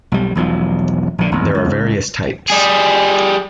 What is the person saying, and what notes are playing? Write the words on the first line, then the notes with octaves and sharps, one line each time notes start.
There are various types.
B1 G3
E1 B1 F3
A#1 D3
G#1 E2
C#2
G3 G#4